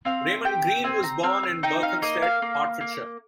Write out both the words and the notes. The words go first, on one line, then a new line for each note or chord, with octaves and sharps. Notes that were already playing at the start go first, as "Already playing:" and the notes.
Raymond Greene was born in Berkhamsted, Hertfordshire.
C4 F5
G4 G5
C4 G#5
A#5
C4 F6
F6
D#4 G5
F5
A#3 D#5
F5
A#3
A#3